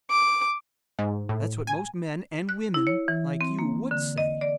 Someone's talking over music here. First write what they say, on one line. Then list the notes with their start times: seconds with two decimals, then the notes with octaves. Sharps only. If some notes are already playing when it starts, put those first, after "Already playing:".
That's what most men--and women--like you WOULD say.
0.10 D6
0.99 G#2
1.29 A2
1.67 G#5
2.49 F#6
2.74 E4
2.87 C#5
3.08 E3
3.41 C4
3.59 A#3
3.91 D3
4.18 D#5
4.41 D5